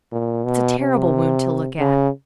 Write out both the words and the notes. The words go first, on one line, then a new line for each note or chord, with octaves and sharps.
"It's a terrible wound to look at."
A#2
B2
C3
C#3